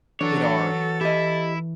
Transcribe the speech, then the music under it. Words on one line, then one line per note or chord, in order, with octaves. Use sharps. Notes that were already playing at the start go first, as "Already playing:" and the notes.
that are
E3 D4 F#4 A4 C#5 A6
E4 G4 D#5